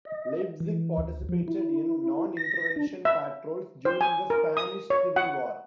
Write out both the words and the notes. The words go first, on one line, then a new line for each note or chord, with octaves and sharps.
"Leipzig" participated in non-intervention patrols during the Spanish Civil War.
D#5
E3
D2
F3
E4
A#6
D4
E5
C5
G#5
A#4
D#6
C#5
F#5